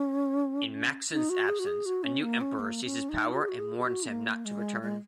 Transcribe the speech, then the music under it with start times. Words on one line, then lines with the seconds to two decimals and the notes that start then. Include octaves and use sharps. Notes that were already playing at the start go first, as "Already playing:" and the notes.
In Macsen's absence, a new emperor seizes power and warns him not to return.
Already playing: C#4
1.11 D#4
1.30 F#4
1.48 G#4
1.59 F#4
1.67 G#4
1.86 F#4
2.04 C#4
2.23 A#3
2.41 C#4
2.60 A#3
2.84 C#4
3.09 D#4
3.33 F#4
3.42 G#4
3.49 F#4
3.59 G#4
3.79 G#4
3.84 F#4
4.08 A#3
4.45 G#3
4.82 G#3